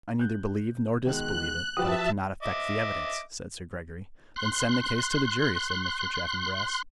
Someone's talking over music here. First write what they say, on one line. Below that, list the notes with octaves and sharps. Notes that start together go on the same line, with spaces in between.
"I neither believe nor disbelieve it; but it cannot affect the evidence," said Sir Gregory. "Then send the case to the jury," said Mr. Chaffanbrass.
F#6 G6
B2 D#3 G#3 F#6
F3 F#4 G4 B4 E5 G5 A5 D#6
D#5 E5 D6
C6 F#6